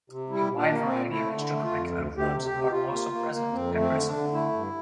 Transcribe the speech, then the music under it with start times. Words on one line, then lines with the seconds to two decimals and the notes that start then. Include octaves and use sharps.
A wide variety of extracurricular clubs are also present at Grissom.
0.10 C3
0.29 G3 E4
0.50 A#2
0.57 D4
0.70 A#3
0.84 C4
0.89 A#2
1.10 A3 E4
1.30 D3
1.50 A3
1.64 F4
1.71 F2
1.91 D2
2.11 D2
2.17 G4
2.32 C3
2.45 G4
2.51 C3
2.64 G4
2.71 C3 F4
2.92 A#3
3.12 A#3
3.32 A#3
3.52 F2 C4
3.72 A3
3.79 C4
3.92 D3
4.06 D4
4.13 D3
4.32 A3 E4
4.53 G2